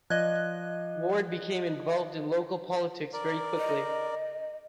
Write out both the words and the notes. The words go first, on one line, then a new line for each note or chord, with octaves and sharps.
Ward became involved in local politics very quickly.
F3 D5 D#5 F#6 G#6
A#4 D5
D#5